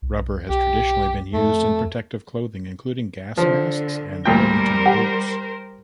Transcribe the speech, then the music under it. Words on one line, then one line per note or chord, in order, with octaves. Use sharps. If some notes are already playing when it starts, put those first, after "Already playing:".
Rubber has traditionally been used in protective clothing, including gas masks and Wellington boots.
B1
B1 G4
F2 A3
D3 F3
D2 A#2 G3 A#4 C5 G5
G4 F#5